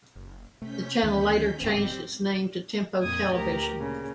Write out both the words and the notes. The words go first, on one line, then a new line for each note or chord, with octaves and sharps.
The channel later changed its name to Tempo Television.
F#1
C3 A3 C#4 G6 B6
D2 D#3 E3 A#3
D1 B1 G#2 G3 C4 G4
F2 A#2 D#6 G#6
D2 G4 A#4 A#5
A#2 C#3